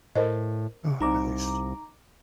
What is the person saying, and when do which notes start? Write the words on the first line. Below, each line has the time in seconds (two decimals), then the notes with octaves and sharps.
Oh, nice.
0.16 A2 A#4 C5 D#5
1.01 C2 D#4 A#5 D6